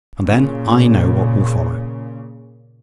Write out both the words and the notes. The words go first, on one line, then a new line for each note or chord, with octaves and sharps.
And then I know what will follow.
A#2 C#3